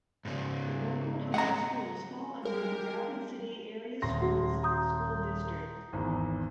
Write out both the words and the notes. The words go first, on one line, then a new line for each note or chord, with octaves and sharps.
The local public schools fall under the Rapid City Area Schools school district.
G#2 C#3
G#3 A3 D#5 F#5 A#5
G#3 G4 A#4
D#1 C6 A#6
F#4 F#5
A#5 D#6 G6
G#1 E2